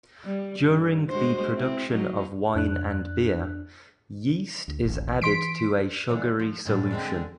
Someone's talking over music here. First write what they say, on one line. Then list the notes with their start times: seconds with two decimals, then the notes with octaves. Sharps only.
During the production of wine and beer, yeast is added to a sugary solution.
0.24 G3
0.60 G2
1.10 G#3 F#4 C5
1.54 C4 E4
1.90 F#3 D#4
2.55 F2 D4 F#6
4.68 D2
4.83 D1 A1
5.22 E3 C6 B6 D7
6.09 D3 E3 C#5
6.39 F3
6.65 F#2 A2 D3
6.91 D3 G#3 C4